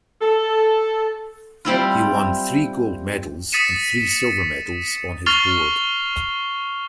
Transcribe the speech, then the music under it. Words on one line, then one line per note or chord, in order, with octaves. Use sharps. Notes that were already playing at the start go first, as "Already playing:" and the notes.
He won three gold medals and three silver medals on his board.
A4
G3 C4 E4 F4
D#6 A6 B6 C#7 D#7 E7
C#6 F6 A6 C7 F7 G7